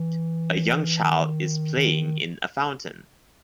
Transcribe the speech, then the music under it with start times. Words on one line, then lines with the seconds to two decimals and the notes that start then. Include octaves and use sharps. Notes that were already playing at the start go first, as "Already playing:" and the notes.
A young child is playing in a fountain.
Already playing: E3
1.03 D#3
1.77 D#3